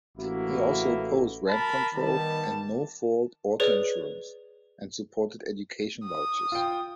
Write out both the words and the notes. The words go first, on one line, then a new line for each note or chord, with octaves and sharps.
He also opposed rent control and no-fault auto insurance, and supported education vouchers.
A1 A#3 E4 F#4
A#4 A5 B5
D#3 G3 B3 A5
G#4 B4 C#5 D5
D#6
F4 G5